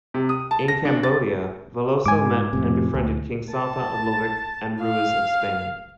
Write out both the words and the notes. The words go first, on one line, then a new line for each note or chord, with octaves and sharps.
In Cambodia, Veloso met and befriended King Satha of Lovek and Ruiz of Spain.
C3
D#6
A5
A#6
D4
A6
G#2 G#5 D6
F2 A2 C3
D2
A5
F5